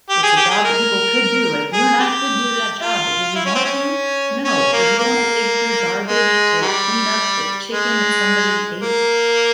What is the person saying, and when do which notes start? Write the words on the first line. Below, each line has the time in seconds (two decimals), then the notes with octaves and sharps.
it's a job that people could do, like, you and I could do that job, but would we want to? No. Would you wanna dig through garbage to clean up the chicken that somebody ate?
0.10 G4
0.23 G#4
0.36 G4
0.51 G#4
0.64 A#4
1.73 G#4
2.00 G4
2.82 F4
3.36 E4
3.46 C#4
3.55 C4
3.65 C#4
4.44 C#4
4.73 A#3
4.99 A#3
6.08 G#3
6.62 G3
7.72 G#3
8.81 A#3